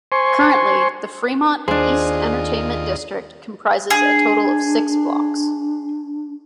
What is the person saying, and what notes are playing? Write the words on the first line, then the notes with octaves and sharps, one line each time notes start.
Currently, the Fremont East Entertainment District comprises a total of six blocks.
C5 G#5 C6 C#6
D#2 D4 F4 G#4 C5 D#5
D4 G#4